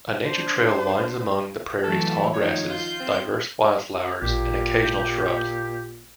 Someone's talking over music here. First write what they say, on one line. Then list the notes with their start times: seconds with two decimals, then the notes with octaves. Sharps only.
A nature trail winds among the prairie's tall grasses, diverse wildflowers, and occasional shrubs.
0.21 D4 C5
1.84 E3 F#3 A3 A4
2.34 D#3 F3 A3 C#5
2.66 F4 G6
3.00 C4
4.22 A1 A#2 G4